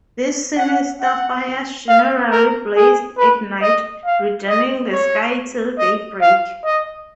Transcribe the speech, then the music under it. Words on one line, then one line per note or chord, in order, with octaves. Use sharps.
These sinister fires generally blazed at night, reddening the sky till daybreak.
F#5
F#5
F5
A#4
G#4
B4
D#5
F5
D#5
C#5
D#5
F5
D#5